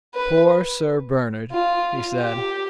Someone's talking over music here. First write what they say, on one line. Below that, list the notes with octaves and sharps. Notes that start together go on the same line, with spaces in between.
"Poor Sir Bernard," he said.
B4
F4
G4